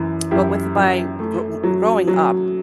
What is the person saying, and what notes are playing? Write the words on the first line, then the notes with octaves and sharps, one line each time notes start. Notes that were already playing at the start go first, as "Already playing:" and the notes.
Well, with my gro growing up,
Already playing: F#2 E3
F#2 E4 G4
F#2
A3
F#3
F#3